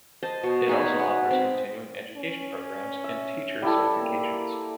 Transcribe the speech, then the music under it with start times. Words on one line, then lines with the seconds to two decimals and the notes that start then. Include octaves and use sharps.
It also offers continuing education programs, and teacher certifications.
0.23 C5 D#5 A5
0.43 B2
0.68 D#4 G#4 B5
0.99 B3 B4
1.31 C4 B5
2.17 C#4
3.04 E5
3.62 G3 E4 A4
4.02 A#3